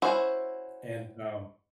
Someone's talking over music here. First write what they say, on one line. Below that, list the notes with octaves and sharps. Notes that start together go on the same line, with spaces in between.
And, um
C#4 E4 F#4 C5